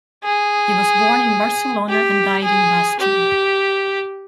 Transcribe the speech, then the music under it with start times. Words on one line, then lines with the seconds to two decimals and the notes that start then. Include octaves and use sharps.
He was born in Barcelona and died in Bastia.
0.24 G#4
1.89 G4
2.44 G#4
2.99 G4